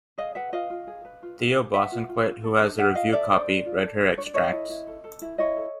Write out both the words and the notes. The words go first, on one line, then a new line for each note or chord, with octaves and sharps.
Theo Bosanquet, who has a review copy, read her extracts.
G#4 D#5 F5
B4 E5 F#5
F4 D#5 F5
F4
G#4
B4
F4
F4
G#4
B4 E5 F#5
F4
F4
F4
A4
D4
D4 E5 F#5
F4 D#5 F5
A4 D5 E5
D4 C5 D5
D4
F4
A4
D4
D4 C#5
D5
A4 C#5 D#5
E4
E4
A4
A4
E4
E4 C#5 D#5
A4